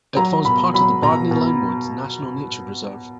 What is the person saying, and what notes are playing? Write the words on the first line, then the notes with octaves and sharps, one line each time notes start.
It forms part of the Bardney Limewoods National Nature Reserve.
F#3 A#5
B2 B5
F#3 B5
B2 A#5
B2